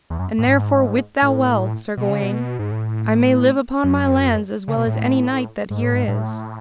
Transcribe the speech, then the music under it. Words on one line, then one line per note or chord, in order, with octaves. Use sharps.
And therefore wit thou well, Sir Gawaine, I may live upon my lands as well as any knight that here is.
E2
F#2
A2
G#2
A2
B2
C#3
B2
G#2
A2
F#2
C#3
B2
A2
G#2
A2
G#2
A2